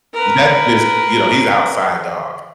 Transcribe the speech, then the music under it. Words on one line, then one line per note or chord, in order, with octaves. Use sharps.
That's just you know, he's outside dog.
A#4 B4